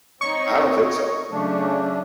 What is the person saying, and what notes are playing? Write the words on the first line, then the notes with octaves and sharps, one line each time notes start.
I don't think so.
C4 D#4 C#5 D#5 C#6
C#3 F#3 A3 C#4 D4